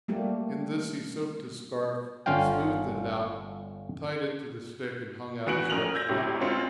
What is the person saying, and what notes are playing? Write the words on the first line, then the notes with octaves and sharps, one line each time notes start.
In this he soaked his scarf, smoothed it out, tied it to the stick and hung out his red flag.
G3 A3 A#3 G4
G1 D3 C#4 F4 F5 G5
E2 B3 F#4 C#7 D7 F#7
A#1 C#4 A#4 F7 F#7
E6 G6 G#6 A#6
D2 A2 C3 F#3
D2 G#3 C4 F4 C#7